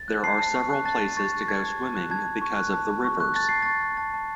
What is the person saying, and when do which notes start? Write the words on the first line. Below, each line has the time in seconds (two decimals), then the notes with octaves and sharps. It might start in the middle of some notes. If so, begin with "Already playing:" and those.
There are several places to go swimming because of the rivers.
Already playing: A6
0.08 F#6
0.23 A5 C7
0.39 A5
0.55 C#6
0.70 F#6
0.86 A5 A6
1.02 A5
1.17 C#6 A6
1.33 F#6
1.48 A5 G#6
1.64 A5
1.80 C#6
1.95 F#6
2.11 A5 G#6
2.26 A5
2.41 C#6
2.57 F#6
2.73 A5
2.89 A5
3.04 C#6
3.20 F#6
3.35 A5 A6
3.49 A5 C7
3.62 C#6 A6
3.82 F#6
3.97 A5 A6
4.14 A5